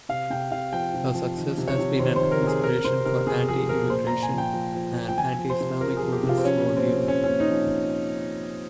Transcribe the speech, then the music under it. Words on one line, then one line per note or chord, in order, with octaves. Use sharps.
Her success has been an inspiration for anti-immigration and anti-Islamic movements throughout Europe.
C3 F5
C3 G5
C3 F5
F3 G5
C3
F3
D#3
C3
C#5
C3
D#3 C5
C5
D#3
A#4
C3
G#4
C3 A#4
C3 C5
C3 A#4
C3 G#4
F3 G#4
F3 A#4
A#2 C5
A#2 A#5
G#5
F3 G5
F3
F3
F3
G5
F3 G#5
F3
C5
C3
F3 A#4
G#4
F3
G4
C3
F4
C4
F3 C#4
A#2
C4
A#2
A#2 C#4
C#4
A#2
D#4
F3